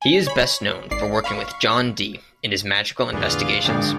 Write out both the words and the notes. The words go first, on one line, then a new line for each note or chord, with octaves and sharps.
He is best known for working with John Dee in his magical investigations.
G#5
C#5 B5
G#1 D5 C7
F5 B5 C#6
E2 A2 D3 F4 G#4 B4 D5 F5
G#1 D3 F3 D4 G#4 G5 D6